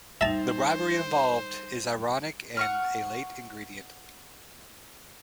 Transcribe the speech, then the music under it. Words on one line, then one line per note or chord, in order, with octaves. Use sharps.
The bribery involved is ironic and a late ingredient.
G3 D#4 C5 E5 A5
F#5 C#6 F6